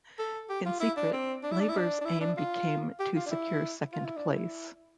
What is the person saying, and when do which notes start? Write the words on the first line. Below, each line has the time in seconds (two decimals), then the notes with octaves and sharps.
In secret, Labour's aim became to secure second place.
0.19 A4
0.49 G4
0.65 F4
0.80 E4
0.97 D4
1.13 C4
1.43 D4
1.51 E4
1.60 D4
1.69 E4
1.77 D4
2.01 D4
2.05 E4
2.21 D4
2.37 F4
2.99 G4
3.16 F4
3.26 D4
3.31 E4
3.93 F4
4.05 E4
4.16 D4
4.29 E4